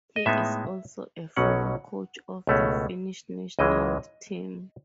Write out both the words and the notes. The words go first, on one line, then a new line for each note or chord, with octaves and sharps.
He is also a former coach of the Finnish national team.
D#5
A2 G#3 B3 D#4 E5
B1 B2 F#3 C#4 F#5
C#2 B2 A3 C#4
C#2 C#3 E3 G#3 D#5